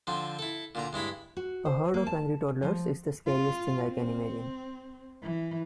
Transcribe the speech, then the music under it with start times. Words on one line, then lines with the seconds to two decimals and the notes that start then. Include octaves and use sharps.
A horde of angry toddlers is the scariest thing I can imagine.
0.07 D3 F3 C4
0.39 E4 A4
0.75 A#2 D3 A#5
0.93 G2 G#3 E4 B5
1.37 F#4
1.65 C5
1.94 A#3
2.07 A5
2.63 F3
3.26 F4
3.89 C4
5.22 E3